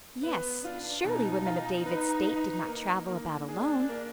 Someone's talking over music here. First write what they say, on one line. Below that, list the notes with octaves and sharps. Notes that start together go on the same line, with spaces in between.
Yes, surely women of David's state did not travel about alone.
B3 B4
D4 F4
B2 D#4
F4
B4
B4
A#3
A#3
D4 G#4
A#3